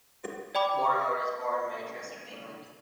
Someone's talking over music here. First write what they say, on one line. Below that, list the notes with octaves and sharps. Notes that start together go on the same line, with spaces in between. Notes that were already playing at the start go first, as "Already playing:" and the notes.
Lorimer was born in Manchester, England.
D5 G5 B5 D6